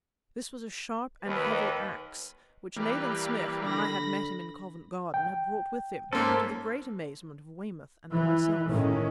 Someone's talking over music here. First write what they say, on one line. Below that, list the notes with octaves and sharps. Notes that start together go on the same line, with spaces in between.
This was a sharp and heavy axe, which Nayland Smith, when I had met him in Covent Garden, had brought with him, to the great amazement of Weymouth and myself.
D#2 B4
E3 G3 A#3 G4 B4
D3 B5 A#6
G5
G#2 A#3 C#4 A4 C5
E3
A2 D#3 G#3 C#4